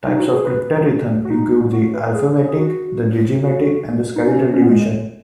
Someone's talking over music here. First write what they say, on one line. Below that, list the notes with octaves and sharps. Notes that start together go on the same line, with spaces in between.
Types of cryptarithm include the alphametic, the digimetic, and the skeletal division.
D#4
F#4
G#4
B4
F#4
D#4
F#4
B4
G#4
G#4
F#4
F#4
D#4
C#4
C#4
B3
G#3